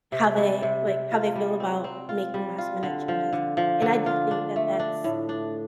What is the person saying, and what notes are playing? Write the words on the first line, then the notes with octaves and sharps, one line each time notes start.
how they, like, how they feel about making last minute changes, and I do think that that's,
C3
G3
C3
C3
F4
G3
C4
C4
F4
G3
F4
D3
F3
D3
F3
D3
F4
D4
A3
D4
A2
D4